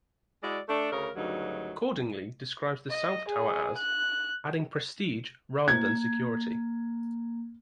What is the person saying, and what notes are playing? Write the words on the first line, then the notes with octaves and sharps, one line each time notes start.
Cordingley describes the south tower as "adding prestige rather than security".
G#3 E4 F#4 D5
A3 D4
D2 C#3 A#4
D2 G2 C#3 F#3 D#4
D#5
G#4
F#6
A#3 G#6